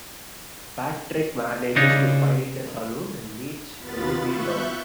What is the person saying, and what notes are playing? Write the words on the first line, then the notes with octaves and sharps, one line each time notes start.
Patrick manages to find a saloon and meets Ruby Lou.
C#3 D4 D#4 C#5
D#2 B3 F4 B5 A6
E5 C#6 F#6 G6